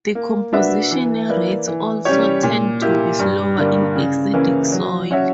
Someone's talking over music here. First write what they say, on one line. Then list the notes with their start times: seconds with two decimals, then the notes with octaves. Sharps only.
Decomposition rates also tend to be slower in acidic soils.
0.15 A#3
0.53 D4 F#4 B4 E5
0.91 E3
1.29 A#3 E4 B4 D5
1.68 E3
2.05 G3 C#4 G4 C#5
2.43 A#2
2.82 A#3 E4 G4
3.19 G2
3.58 D3 G3 A#3
3.96 C#3
4.34 E3 A#3 C#4 E4
4.72 F#3
5.11 C#4 F#4 C#5 E5